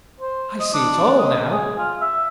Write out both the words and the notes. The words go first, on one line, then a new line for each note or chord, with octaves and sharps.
I see it all now.
C5
D#5
D4
D#5
G#4
F4
E5